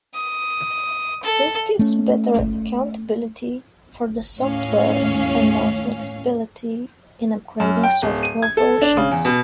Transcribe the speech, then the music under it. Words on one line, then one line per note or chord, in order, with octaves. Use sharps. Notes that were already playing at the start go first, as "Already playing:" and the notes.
This gives better accountability for the software and more flexibility in upgrading software versions.
D#6
A4
A3 C#4
D#2 A2 C#4 F5
F#2
G5
D1
D#7
G#6
A4
D4
C#3
E2
B2